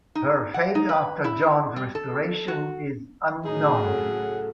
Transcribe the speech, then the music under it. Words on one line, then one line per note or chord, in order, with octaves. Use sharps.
Her fate after John's restoration is unknown.
D#4
F#5
D#4
B4
E4
G3
A4
F#4
A2 C#3 F#3 D#4 G#4
A4 F#5